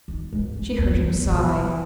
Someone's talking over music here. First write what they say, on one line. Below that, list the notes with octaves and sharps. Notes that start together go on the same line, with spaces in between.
She heard him sigh.
D#3
G#2
F#2
E2
F#2
E2
B2